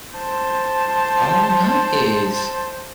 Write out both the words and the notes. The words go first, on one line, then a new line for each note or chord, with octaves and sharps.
Oh, nice.
C5 A5